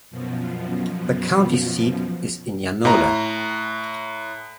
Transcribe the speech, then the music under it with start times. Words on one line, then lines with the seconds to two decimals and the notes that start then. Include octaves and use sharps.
The county seat is Indianola.
0.11 F#2 B2 F3
2.85 A2 A#5